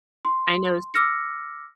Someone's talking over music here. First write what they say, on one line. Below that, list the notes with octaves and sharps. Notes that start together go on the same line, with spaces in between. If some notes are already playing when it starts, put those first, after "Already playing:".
I know s
C6
D6 E6 F6 A#6 C#7